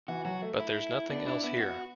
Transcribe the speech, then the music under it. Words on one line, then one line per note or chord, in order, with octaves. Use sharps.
But there's nothing else here.
E3 F#4
F#3 F#4
A3
E4
B3 D4
D4 E4
B3 E4
F#4